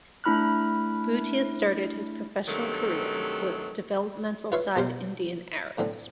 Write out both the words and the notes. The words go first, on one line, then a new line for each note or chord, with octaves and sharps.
Bhutia started his professional career with developmental side Indian Arrows.
A3 D4 E4 B5 F6 F#6
G2 C3 D#3 F#3 A3
F4 B4 C#5 E5 F5
B2 G4 C5 F5
A2 D3 C4